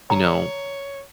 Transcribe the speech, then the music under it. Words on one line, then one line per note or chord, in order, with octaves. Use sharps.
you know
C#5 A#5